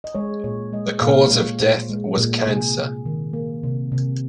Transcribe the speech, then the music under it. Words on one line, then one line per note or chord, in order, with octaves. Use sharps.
The cause of death was cancer.
D#5
G#3 C#5
A#2 C#5
G#3 D#5
A#2 F5
G#3 C#5
A#2 C5
G#3
A#2
C3 G#4
C3
D#3
A#3
C3
C3